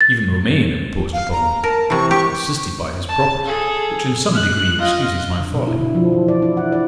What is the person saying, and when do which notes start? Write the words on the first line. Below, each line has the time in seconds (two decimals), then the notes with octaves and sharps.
Even Romayne imposed upon me--assisted by his property, which in some degree excuses my folly.
0.01 A6
1.13 F5
1.32 A#5
1.64 A#4 A5
1.90 C3 E3 C#6
2.11 G4 C#6
3.09 A5
3.46 G#4 A4
4.34 F#6
4.78 F4 D#5
5.40 D3
5.53 B2
5.68 E4
5.79 D3
5.95 F3
6.12 E3
6.28 D5
6.42 E4
6.57 F#5
6.72 D5